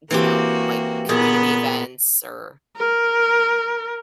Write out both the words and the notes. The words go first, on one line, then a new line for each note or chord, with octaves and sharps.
you know, like community events or,
E3 A#3 C4 F#4 G4
A#2 B3 G#4 B4
A#4